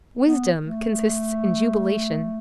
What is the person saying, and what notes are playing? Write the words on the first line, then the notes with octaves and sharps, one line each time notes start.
Wisdom consists in jubilation.
B3
A3